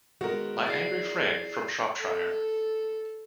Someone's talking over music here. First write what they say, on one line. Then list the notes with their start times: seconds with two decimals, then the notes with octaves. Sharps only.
My angry friend from Shropshire!
0.21 D#3 G#3 B3 F#4 A#4
0.66 E4 G#4 D5 A6 C7
2.00 A4